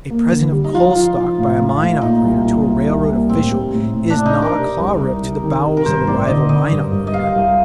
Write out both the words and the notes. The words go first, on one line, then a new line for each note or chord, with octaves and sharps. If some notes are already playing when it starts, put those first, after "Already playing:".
A present of coal stock by a mine operator to a railroad official is not a claw rip to the bowels of a rival mine operator.
A#3
D3
G3
D#4
F3 F4
F3
F3
A2
A3
A3
A#2 D#4
C2
A#2
C2
C2
A#3
A2 C4
G3
A2
A2
A2 D4
D#4
D4
A#4
C3
C2
C2
C3
D#3
C3
A#4
G2 C5
A1 D5
D3 D#5
D3 D#5
G2
G2
D#5
G3 F5
C2